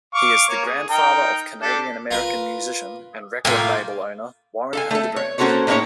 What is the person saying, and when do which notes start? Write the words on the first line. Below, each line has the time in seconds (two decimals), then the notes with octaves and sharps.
He is the grandfather of Canadian-American musician and record label owner Warren Hildebrand.
0.14 F5 C#6 D6
0.49 A#3 C#5
0.66 G#4
0.89 D#4 A#4 G5
1.62 D4 G4 A4
2.11 F4 A#4 B4
3.45 A2 A#3 F4 G5 G#5
4.73 A4 F5 G#5
4.91 A3 A4
5.16 C#5
5.38 A#3 C#4 F#4 A4 C5 C#5
5.67 A2 G#3 A#3 C#4 D#4 C#5